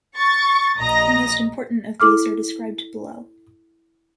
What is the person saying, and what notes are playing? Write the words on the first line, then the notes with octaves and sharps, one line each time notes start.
The most important of these are described below.
C#6 A6
A#1 D#5 A#5 A#6
E4 A4 D6 F6